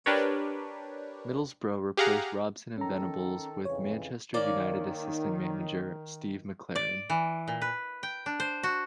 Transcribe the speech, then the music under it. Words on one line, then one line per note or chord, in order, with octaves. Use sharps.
Middlesbrough replaced Robson and Venables with Manchester United assistant manager Steve McClaren.
D4 G4 A#4 B4 C#5
G4 G#4 F5 F#5 A#5
D#3 C#4 A4 A#5
F2 C#3 E3 C#5
D#3 A#3 C#4 D5
D5
E3
A#2
B4
G5
D4
C5
F#4